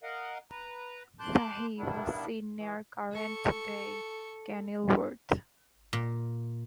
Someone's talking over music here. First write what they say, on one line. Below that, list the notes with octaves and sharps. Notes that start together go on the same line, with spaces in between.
Fahy was seen near current day Kenilworth.
A#4 D#5 F5 F#5
B4 A#5
A5 C6 D6 F#6 G6
G2 D#3 G3 B3 D4 E4
E3
A4 C#6
A#2